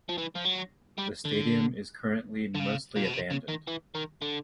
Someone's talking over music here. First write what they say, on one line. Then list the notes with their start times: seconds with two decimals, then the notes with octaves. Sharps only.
The stadium is currently mostly abandoned.
0.09 F3
0.18 E3
0.36 F3
0.45 F#3
0.99 G3
1.25 D3
2.55 D3
2.60 C#3
2.96 A#2
3.04 B2
3.13 C3
3.31 C#3
3.49 D#3
3.68 E3
3.95 D#3
4.22 D3